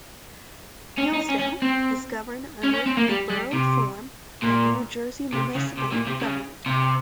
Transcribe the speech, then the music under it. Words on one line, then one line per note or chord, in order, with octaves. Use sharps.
Hillsdale is governed under the Borough form of New Jersey municipal government.
C#4
D#4
C#4
C#4
C4
C#4
C#4
C4
A#3
G3
G3
C3
A#2
C3
C#3
C3
A#2
C3
C#3
C3